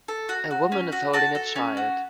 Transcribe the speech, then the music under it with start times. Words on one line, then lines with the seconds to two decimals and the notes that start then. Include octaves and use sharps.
A woman is holding a child.
0.08 A4
0.29 F#4
0.51 F#4
0.72 C#4
0.92 F#4
1.13 F#4 A5
1.35 A4
1.56 C#4
1.77 F#4